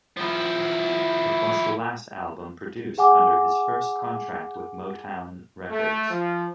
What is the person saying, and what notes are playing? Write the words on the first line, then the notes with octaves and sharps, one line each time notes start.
It was the last album produced under his first contract with Motown Records.
F3 E4
G#4 F#5 G#5 D6
A3
F3